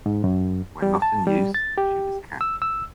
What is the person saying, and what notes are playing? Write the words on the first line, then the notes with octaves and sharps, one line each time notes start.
When not in use, the tube is capped.
G#2
F#2
G3
A5
G3
A6
G4
E6
E6